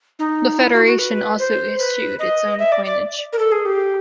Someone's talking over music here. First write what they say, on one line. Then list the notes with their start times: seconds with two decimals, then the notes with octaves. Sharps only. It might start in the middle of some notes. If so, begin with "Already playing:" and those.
The Federation also issued its own coinage.
0.19 D#4
0.59 E4
0.73 F#4
0.86 F#4
0.99 B4
1.39 C5
1.79 B4
2.19 D#5
2.59 E5
2.72 D5
2.85 D5
3.33 A#4
3.39 A4
3.52 G#4
3.65 G4